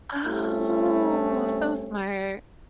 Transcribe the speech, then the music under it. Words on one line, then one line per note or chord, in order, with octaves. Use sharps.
Oh, so smart.
G2 A3 C4 C#4